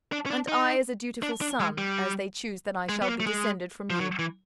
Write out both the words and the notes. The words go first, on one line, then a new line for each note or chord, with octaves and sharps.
"And I as a dutiful son, as they choose that I shall be descended from you."
D4
C#4
D4
D#4
D4
D4
G#3
G3
G#3
B3
A#3
A3
G#3
F3
F#3
E3